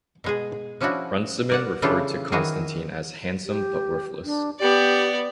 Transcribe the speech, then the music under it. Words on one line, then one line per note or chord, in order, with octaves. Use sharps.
Runciman referred to Constantine as "handsome but worthless".
B2 G#3 G#4
F3 C#4 D4 E4 F#4
A#4 D5 F#5
C#3 E3 D4 F4 G4 A4
D#3 E3 F#4 G#4 A#4
G4
D4
B3 G4 D5